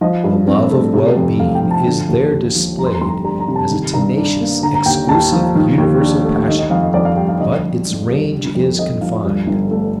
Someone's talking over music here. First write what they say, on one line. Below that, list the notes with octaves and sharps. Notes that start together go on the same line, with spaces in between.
The love of well-being is there displayed as a tenacious, exclusive, universal passion; but its range is confined.
F3 D#5
G2
C4
A3
C3
F2
A3 F5
G5
F3
A5
D3
D#2
D#2
F3
F2 A#5
C6
A#5
G1 C6
A#5
G3 A#5
A#5
C3
A5
D#3
G2 A#5
D4
A#3
D3 A#5
A#5
D#2 G5
D#2 A5
F3
D#3
D#2
D4
A3
D#3 D#5
D#5
F2 F5
D#5
F2 D5
F5
G3 G5
F5
D3 D#5
F2
F2
G3
D3
F2
F2 D#5
F3 F5
G2
G1
A3